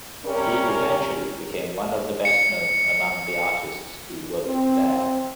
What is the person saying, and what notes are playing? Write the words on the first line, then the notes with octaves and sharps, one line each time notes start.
He eventually became one of the best known among the artists who worked there.
C3 G3 C#4 A#4
C#7
C4